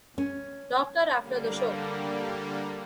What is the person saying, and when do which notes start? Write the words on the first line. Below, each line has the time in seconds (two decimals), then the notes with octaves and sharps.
Doctor after the show.
0.18 C#4
1.16 D3 G3 A#3